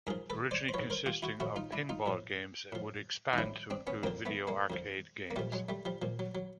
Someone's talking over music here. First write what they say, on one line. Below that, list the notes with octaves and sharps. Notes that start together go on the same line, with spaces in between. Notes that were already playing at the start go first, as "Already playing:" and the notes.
Originally consisting of pinball games, it would expand to include video arcade games.
G#2 F3 G#4 A#4
A4 B4
C5 D5
C5
G#2 F3 B4 C#5
A#4 C5
F4 G4
E4 F#4
A2 F3 E4 F#4
D#4 F4
D4 E4
D#4 F4
A2 F3
A2 F3
D#4
A2 F3 D4 E4
C4 D4
B3 C#4
F2 D3 F3 A#3 C4
A3 B3
G#3 A#3
F2 D3 F3
A#3
A#2 F3 G3 A3
F#3 G#3
G3 A3
F3 G3
A#2 F3
F#3
F#3